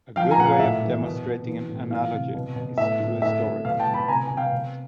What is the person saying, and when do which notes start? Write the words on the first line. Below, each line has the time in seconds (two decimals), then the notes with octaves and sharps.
A good way of demonstrating an analogy is through a story.
0.16 F3 F5 G5
0.31 G#5 A#5
0.38 A#2 F#5
0.46 F5
0.60 A2 E5
0.82 E3
1.03 B2
1.25 B2
1.47 E3
1.69 A2
1.90 E3 F5
2.12 C3
2.34 B2
2.56 B2
2.77 A2 E5
3.00 A2
3.22 A2 E5
3.43 A2
3.65 B2 F5
3.79 G5 A5
3.87 B2
3.93 A5 B5
4.08 C3 G#5 A#5
4.28 C3 G#5
4.37 F5 G5
4.52 B2